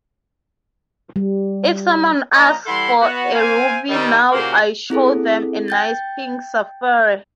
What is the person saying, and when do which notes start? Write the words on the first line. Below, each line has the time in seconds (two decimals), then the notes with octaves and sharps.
If someone asks for a ruby now I show them a nice pink sapphire.
1.16 G3
2.34 F3 A#3 D#5 A#5
2.66 E3 G3 A4 F#5 B5 C6
3.01 B3 F#4
3.35 C4 C5 F5 G#5
3.89 D#3 G3
4.32 A#2 C#3 A#3 F#4 G4 C5
4.90 C4 E4 G#4 A4
5.68 G5 G6 A6